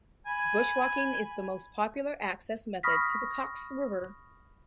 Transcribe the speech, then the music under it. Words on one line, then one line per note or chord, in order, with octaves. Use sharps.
Bushwalking is the most popular access method to the Coxs River.
G#5 B5
B5 C#6 D#6 F6 A#6 B6